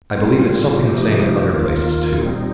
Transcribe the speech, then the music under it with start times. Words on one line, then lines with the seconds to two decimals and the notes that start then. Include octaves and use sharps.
I believe it's something the same in other places too.
0.15 A2 G3 C4 F4
0.84 C3 F3 A3 D#4 G4
1.51 D#2 D#3 A#3 F4
2.18 A#2 G3 C4 D#4